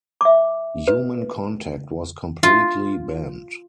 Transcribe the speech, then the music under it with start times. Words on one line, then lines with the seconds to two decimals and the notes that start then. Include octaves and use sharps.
Human contact was completely banned.
0.21 E5 D6
0.88 B4
2.43 F4